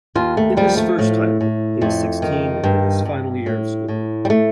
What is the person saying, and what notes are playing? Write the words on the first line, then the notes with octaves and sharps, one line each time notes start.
In this first title he is sixteen and in his final year of school.
D#2 F4
A3
F3 G3
A3
A2 A3
A2
F2 A3
D#3
G2
G2
A2
A2
G3
A3